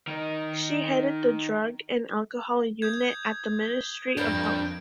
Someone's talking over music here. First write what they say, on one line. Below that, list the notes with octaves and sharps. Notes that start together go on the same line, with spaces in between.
She headed the drug and alcohol unit at the Ministry of Health.
D#3 D#4
D#6 G6 G#6
F2 D4 A#4 B4 G6 D7